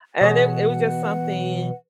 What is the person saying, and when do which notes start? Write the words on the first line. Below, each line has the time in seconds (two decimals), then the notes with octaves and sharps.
And it it was just something
0.21 B2 E3 G#4 C#5 D#5 F#5